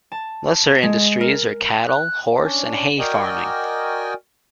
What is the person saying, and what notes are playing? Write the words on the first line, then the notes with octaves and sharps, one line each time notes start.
Lesser industries are cattle, horse, and hay-farming.
A5
G#3
A#4
F#6
C#4 D4
F#4 A#4 D5 D#5 G5 G#5